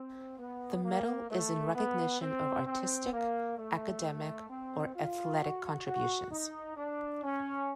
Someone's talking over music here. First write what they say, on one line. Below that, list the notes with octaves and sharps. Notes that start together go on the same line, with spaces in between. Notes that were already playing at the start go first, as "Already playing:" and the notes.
The medal is in recognition of artistic, academic or athletic contributions.
Already playing: C4
B3
A#3
A3
B3
C4
C4
A#3
A3
C4
F4
F#4
F#4
D#4
D4
C#4